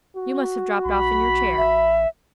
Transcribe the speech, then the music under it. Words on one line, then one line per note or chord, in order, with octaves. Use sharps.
You must have dropped off in your chair.'
F#4
B1 B5
A1 E5